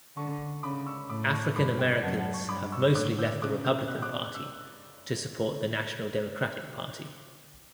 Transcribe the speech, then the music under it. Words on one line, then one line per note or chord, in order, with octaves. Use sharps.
African Americans have mostly left the Republican Party to support the national Democratic Party.
D3 A5 C#6
C#3 B5 D6
C#6 E6
A2 B5 D6
A5 C#6
G2 B5 D6
G5 B5
F#2 F#5 A5
F#5 A5
A5 C#6
G2 B5 D6
C#6 E6
G6
A2 D6 F#6
E6 G6
C#3 D6 F#6
E6 G6
B2 F#6
G6
D6 F#6
E6